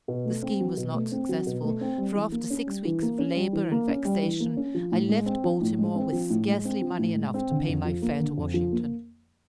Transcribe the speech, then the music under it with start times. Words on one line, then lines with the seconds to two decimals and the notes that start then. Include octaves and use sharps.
The scheme was not successful, for after six weeks of labor and vexation, I left Baltimore with scarcely money enough to pay my fare to Washington.
0.08 B2
0.25 A3
0.43 C4
0.60 F#3
0.77 B2
0.94 A3
1.12 C4
1.29 F#3
1.46 B2
1.63 A3
1.81 C4
1.98 G3
2.15 E3
2.32 A#3
2.50 C#4
2.67 G3
2.85 E3
3.02 A#3
3.18 C#4
3.36 G3
3.53 E3
3.71 A#3
3.88 C#4
4.05 G3
4.23 E3
4.40 A#3
4.57 C#4
4.75 F3
4.92 A2
5.09 G#3
5.26 C4
5.44 F3
5.61 A2
5.79 G#3
5.95 C4
6.13 F3
6.30 A2
6.48 G#3
6.65 C4
6.82 F3
6.99 A2
7.16 G#3
7.34 C4
7.51 D3
7.68 F2
7.85 F3
8.02 A#3
8.20 D3
8.38 F2
8.54 F3
8.72 A#3